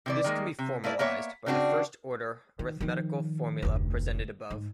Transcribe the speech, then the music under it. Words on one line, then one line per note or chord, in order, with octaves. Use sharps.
This can be formalized by the first-order arithmetical formula presented above.
C3 E3 D5
D#3 G#3 A#3
C3
A3 A#3 E4 D5
A#3 B3 C#5 E5
C#3 C4 D4 D#4 F#4
D#3
D#3 F3
F1 D2
G#2